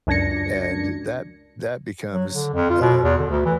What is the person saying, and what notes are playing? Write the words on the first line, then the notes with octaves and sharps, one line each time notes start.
and that that becomes, uh,
C#2 F#2 D4 G#6 A#6 C#7
F#3
D3
F2
F4
B2
E2
D3
D2
E3